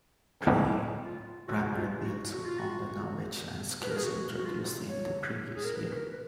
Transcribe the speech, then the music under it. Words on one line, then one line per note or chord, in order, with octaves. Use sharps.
Pre-Primary builds upon the knowledge and skills introduced in the previous year.
G#3
F#3
F4
F#4
F4
F#4
F#4
F4
F#4
B4
A#4
G#4
F#4
F#4
F4
C#5
G#4
A#4
B4
A#4
B4